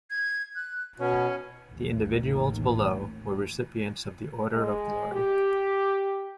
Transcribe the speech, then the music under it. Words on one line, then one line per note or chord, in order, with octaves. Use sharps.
The individuals below were recipients of the Order of Glory.
G#6
F#6
B2 C#4
A1 D#2 A2
G#3
G4